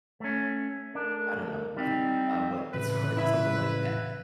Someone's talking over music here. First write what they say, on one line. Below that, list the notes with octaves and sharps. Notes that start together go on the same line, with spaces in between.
I don't know, I forgot, uh, but it's it's something like that.
A3 C#4
A3 D4 A#4
G3 C4 D#4
A2 C#3 E3 B4
E4 E5 B5